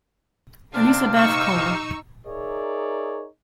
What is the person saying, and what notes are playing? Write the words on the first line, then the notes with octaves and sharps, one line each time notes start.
Elizabeth Cole.
C3 D4 F5 F6
D#4 C#6 E6
D#4 G#4 A#4 C#5 D5 E5